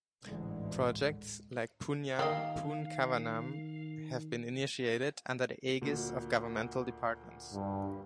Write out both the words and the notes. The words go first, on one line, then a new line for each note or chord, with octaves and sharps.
Projects like "Punyam Poonkavanam" has been initiated under the aegis of governmental departments.
A1 D2 G#2 D3 E3 G#3
D#3 A#3 G4 D#5 F5
D2 A#2
G2